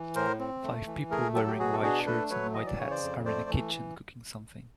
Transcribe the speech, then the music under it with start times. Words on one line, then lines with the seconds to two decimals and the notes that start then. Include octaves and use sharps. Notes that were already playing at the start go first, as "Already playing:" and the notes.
Five people wearing white shirts and white hats are in a kitchen cooking something.
Already playing: E3
0.15 A2 A#4 C5
0.39 C4
0.64 A3
0.86 E3
1.11 A3 G#4 A#4
1.34 F#3 G4 A4
1.47 G4
1.59 B2 F#4 G#4
1.73 A4
1.82 D4 F#4 G#4
2.07 A3 A4 B4
2.30 F#3 B4 C#5
2.54 E3 D#5
2.66 D5
2.78 C#3 C#5
2.91 C5 D5
3.02 F2
3.25 A3 C5 D5
3.50 E3